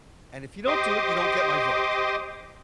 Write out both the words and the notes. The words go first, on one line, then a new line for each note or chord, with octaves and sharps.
"And if you don't do it, you don't get my vote."
G4 C5 D#5 C6 D6 D#6